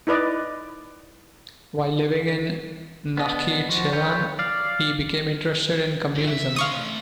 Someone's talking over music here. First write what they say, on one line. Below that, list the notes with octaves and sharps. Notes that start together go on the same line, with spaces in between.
While living in Nakhichevan, he became interested in Communism.
D#4 E4 B4 D5 D#5
B3 D4 D#5
F3 F#4
F4 B4 C#5 G5
D5 F5
G2 E3
E5
A3 F5 C6 C#6 D#6